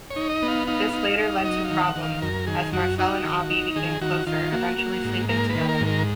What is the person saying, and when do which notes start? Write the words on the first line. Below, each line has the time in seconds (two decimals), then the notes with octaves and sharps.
This later led to problems, as Marcel and Abi became closer, eventually sleeping together.
0.10 C#5
0.16 D#4
0.30 D#5
0.42 B3
0.48 F5
0.67 D#4 F5
0.93 D#4
1.19 D#4
1.44 F#3 D#5
1.64 F5
1.71 D#3
1.83 F#5
1.96 D#3
2.02 F5
2.22 F#2 A#4
2.47 D#3 G#4
2.72 F#2 F#4
2.98 D#4 F#4
3.24 D#3
3.50 D#4
3.76 D#3 G#4
4.01 D#3 F#4
4.27 D#3 F4
4.52 A#3 F#4
4.78 A#3
5.04 G#2
5.29 A#3 A#4
5.49 B4
5.55 D#3
5.69 A#4
5.81 G#2
5.87 A#4